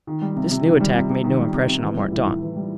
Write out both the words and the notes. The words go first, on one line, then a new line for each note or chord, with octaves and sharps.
This new attack made no impression on Mordaunt.
D#3
G3
C3
C3
D#3
G3
C3
C3
D#3
G3
C3
C3
E3
G3
A2
A2
E3
G3